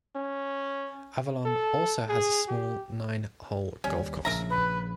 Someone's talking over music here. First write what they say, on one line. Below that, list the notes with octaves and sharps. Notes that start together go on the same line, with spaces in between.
Avalon also has a small nine-hole golf course.
C#4
A4
G#4
G4
D#2 G3 C#4
A#1 C#3 A#4 E5 A#5
B4